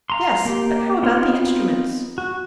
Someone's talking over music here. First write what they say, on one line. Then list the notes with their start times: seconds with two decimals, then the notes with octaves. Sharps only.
"Yes, but how about the instruments?"
0.10 F5 A#5 C6
0.45 A#3 G4
1.03 B3 C4 D#4 F4
2.18 F#4